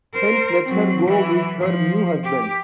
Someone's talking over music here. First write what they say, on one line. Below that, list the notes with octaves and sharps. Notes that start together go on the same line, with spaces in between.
Hence let her go with her new husband.
A#4 C5
F#3 C4
E3 F#3
F3
G4